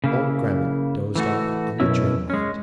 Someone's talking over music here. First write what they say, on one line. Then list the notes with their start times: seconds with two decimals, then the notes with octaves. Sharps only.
Old Grammont dozed off into dreamland.
0.04 C#3 A#3 E4
1.15 E3 A3 F#4
1.80 F#2 B2 C#4 E4
2.30 G#3 C#4